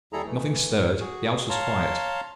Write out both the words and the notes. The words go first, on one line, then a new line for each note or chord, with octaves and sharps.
Nothing stirred--the house was quiet.
D#2 G3 E4 G#4 A4 A#5
E3 A3
F#4 G#4
C#5 F5 A5 A#5 C6